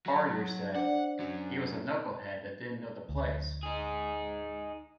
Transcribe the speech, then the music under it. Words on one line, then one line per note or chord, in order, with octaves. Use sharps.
Farrior said, He was a knucklehead that didn't know the plays.
F#3
D4 C5 D5 F#5
F#2 F#3
D2
D#4 G#4